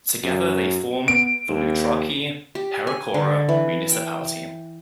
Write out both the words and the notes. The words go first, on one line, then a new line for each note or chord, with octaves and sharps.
Together they form the Loutraki-Perachora Municipality.
F#2
B3 D7
D#2
G4
G#5
D3
E3
G5